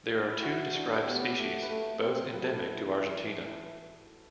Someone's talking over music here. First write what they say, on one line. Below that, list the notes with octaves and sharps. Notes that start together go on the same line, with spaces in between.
There are two described species, both endemic to Argentina.
D4
E4
E4 F#4
D4
B3 G4
A3
B4
A3 A4
C4
F#3 B4
A4
B4
E3